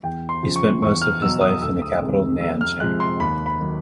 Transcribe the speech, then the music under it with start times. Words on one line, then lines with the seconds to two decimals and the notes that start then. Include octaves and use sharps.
He spent most of his life in the capital Nanchang.
0.03 E2 G5
0.29 C6
0.43 C#3 F3
0.56 C#6
0.82 E2 C#6
1.02 F6
1.22 B2 F#3 E6
1.41 D#6
1.62 D2 E6
1.82 D#6
2.02 C3 D#3 G#3
2.41 F2 E6
2.61 F6
2.80 C3 F3 G#3 F#6
3.00 C6
3.19 D#2 B5
3.46 B5
3.59 D#3 F#3